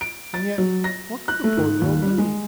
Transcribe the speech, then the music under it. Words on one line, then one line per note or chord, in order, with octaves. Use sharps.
And yet, what could the poor girl do?
D7
A6
F#3
A#6
F#6
A3
G#2
D#2
G3
G#3